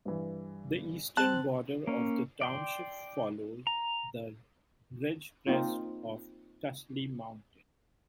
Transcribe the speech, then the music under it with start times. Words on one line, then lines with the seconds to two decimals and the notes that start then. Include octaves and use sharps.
The eastern border of the township follows the ridgecrest of Tussey Mountain.
0.05 G2 E3
1.17 C4 A5 F#6
1.87 A#3 C#4
2.41 D5 G5 C6
3.67 A#5
5.47 A#3 C4 D#4 F4